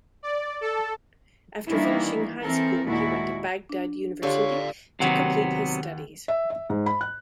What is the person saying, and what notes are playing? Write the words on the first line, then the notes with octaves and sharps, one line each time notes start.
After finishing high school he went to Baghdad University to complete his studies.
D5
A4
D#3 E3 G3 A#3 D4 E4
E3 C4 A4 A#4
D#2 A#2 G#3 E4 F#4
D4
D3 F4 G4 C#5 D5 F5
D#2 C3 F#3 B3 F#5
E5
E5
G#2
B5
F#6